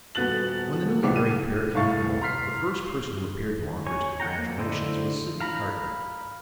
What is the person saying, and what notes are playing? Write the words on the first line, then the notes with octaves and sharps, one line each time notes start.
When the newly-married pair came home, the first person who appeared, to offer his congratulations, was Sydney Carton.
D#1 B3 F#4 F#6 A6 F#7
C#2 F3 B3 D6
D#7
C2 A2 F5 C#6 A6
A#5 C6 F6 B6 C7
C#5 G#5
F#5 G5 A#5
A#3
D3 A3 E4 C5 D#5
F5 A#5 B5